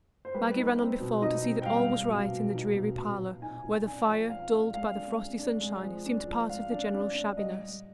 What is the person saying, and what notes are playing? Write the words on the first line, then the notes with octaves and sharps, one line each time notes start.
Maggie ran on before to see that all was right in the dreary parlor, where the fire, dulled by the frosty sunshine, seemed part of the general shabbiness.
C5
G3 B4
D#4
C4
B2
D#4 D#5
C4
G5
G3 F5
G3
B2 F5
B2
D#4
B2
B2
B2
D#4 G#5
D#4
D4 G#5
F3
F3 F5
D4
G#3 F5
D4
D4
D4
G#3
F3
D4
F3
G#3 F5
D4
D4
D4
G3 D#5
G3